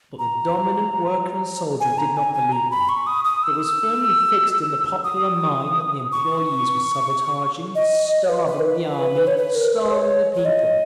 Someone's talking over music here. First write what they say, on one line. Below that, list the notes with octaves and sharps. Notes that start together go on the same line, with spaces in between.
But the dominant worker and soldier did not believe them; it was firmly fixed in the popular mind that the employees were sabotaging, starving the Army, starving the people....
A#5
G#5
A#5
G#5
G#5
A#5
B5
C#6
D#6
D#6
E6
D#6
C#6
D#5
C#5
B4
B4
A#4
B4
C#5
B4
A#4
B4
C#5
C#5
D#5